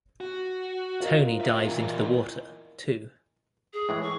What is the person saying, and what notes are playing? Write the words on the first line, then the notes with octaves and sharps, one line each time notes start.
Toni dives into the water, too.
F#4
F4 A#4 D#5
G4 E5
A#2 E3
G#4
A2 E3 G#3
C#6